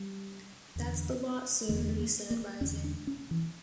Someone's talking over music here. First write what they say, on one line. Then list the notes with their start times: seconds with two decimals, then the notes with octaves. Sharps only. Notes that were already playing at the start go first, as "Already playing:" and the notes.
"That's the lot, sir," he said, rising.
Already playing: G3
0.76 E2 D3
1.69 E2 D3 A3
1.79 A#3
1.88 A3
1.99 A#3
2.30 A#3
2.61 E2 C#4
2.64 D3
2.84 D4
3.07 C#4
3.31 E3